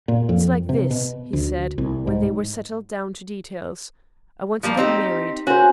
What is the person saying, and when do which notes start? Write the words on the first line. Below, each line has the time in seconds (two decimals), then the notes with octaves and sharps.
"It's like this," he said, when they were settled down to details, "I want to get married."
0.08 A#2
0.29 F2
0.69 C3
0.91 B2
1.33 D2
1.78 C2
2.07 G#2
4.63 F3 G3 A#3
4.77 C4 D#4 G4
5.47 C#4 F#4 C5